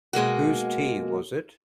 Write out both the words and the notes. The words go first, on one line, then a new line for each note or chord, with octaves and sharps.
Whose tea was it?
B2 G#3 A#3 F#4